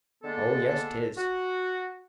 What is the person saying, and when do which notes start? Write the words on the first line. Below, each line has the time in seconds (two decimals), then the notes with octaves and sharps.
Oh yes, 'tis.
0.24 D3 G#3 A#3 B3 D4 A4
1.17 F#4